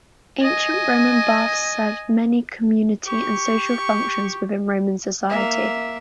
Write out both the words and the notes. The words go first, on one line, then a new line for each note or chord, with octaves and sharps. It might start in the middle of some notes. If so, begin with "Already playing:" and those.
Ancient Roman baths served many community and social functions within Roman society.
D#5 G#5
G4 C#6
A#3 E5